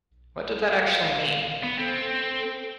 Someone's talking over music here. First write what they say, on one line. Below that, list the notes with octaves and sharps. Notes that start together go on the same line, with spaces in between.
What did that actually mean?
F5
B3
C4 A4